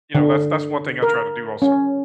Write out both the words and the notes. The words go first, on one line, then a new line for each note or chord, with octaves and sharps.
you know, that's that's one thing I try to do also.
D3
A#4
C#4